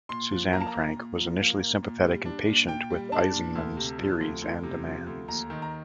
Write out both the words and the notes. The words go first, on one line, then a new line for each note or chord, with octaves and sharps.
Suzanne Frank was initially sympathetic and patient with Eisenman's theories and demands.
A#2 C6
F3
A#3 A#5
A5
A#5
A#2
A#2
F3
A#3
A#2
A#2
G3
D4
A#2
A#2 G5
G3
D4 A5
A#2
D2
C3
F3
D2
D2
C3
F3
D2
D#2 A#5
D#3
A#5